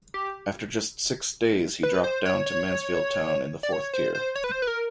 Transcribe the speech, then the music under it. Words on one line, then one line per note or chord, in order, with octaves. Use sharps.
After just six days he dropped down to Mansfield Town in the fourth tier.
G4
B4
C5
C#5
C#5
D5
C#5
C5
C5
C#5
B4
C5
B4
A#4